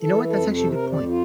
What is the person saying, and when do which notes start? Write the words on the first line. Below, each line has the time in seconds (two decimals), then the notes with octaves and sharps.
You know what, that's actually a good point.
0.02 E3 A4
0.29 F2 A4
0.55 C3 A4
0.73 A#4
0.82 F2
0.92 D5
1.09 F4